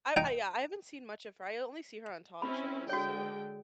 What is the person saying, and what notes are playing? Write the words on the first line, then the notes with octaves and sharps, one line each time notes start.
I I yeah, I haven't seen much of her, I only see her on talk shows, so,
D#4 G5
C4 C#4 E4 B5
D3 G#3 F#4 C#5 G5